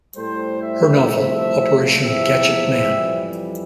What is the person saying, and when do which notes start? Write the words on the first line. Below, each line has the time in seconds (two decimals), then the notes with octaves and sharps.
Her novel Operation Gadgetman!
0.16 A2 G3 A4 C5
0.62 C5 E5
1.08 C2 C3 F3 A3 C5 E5
2.00 E2 C3 F3 C5 E5
2.93 F2 E3 G3